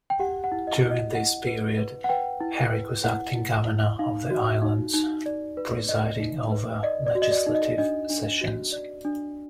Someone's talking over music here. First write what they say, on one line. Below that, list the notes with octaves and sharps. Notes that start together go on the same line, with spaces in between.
During this period, Herrick was acting-Governor of the Islands, presiding over legislative sessions.
G5
G4 F#5
F#5
E4
D#5
E4
D#5
E4 F#5
B4
B4
F#5
B4 G5
E4
B4
E4 F#5
E4
E4
D#4 F5
F#4
D#4
D#4
D5
B4
D5 D#5
D#4
B4
D5 D#5
D5
F#4
D#5
D5
D#4
D#5
D4 D#5
D4
F#4
D5
D4